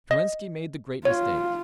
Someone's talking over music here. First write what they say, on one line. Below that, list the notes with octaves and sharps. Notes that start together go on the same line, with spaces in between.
Kerensky made the great mistake.
D#5
F4 C#5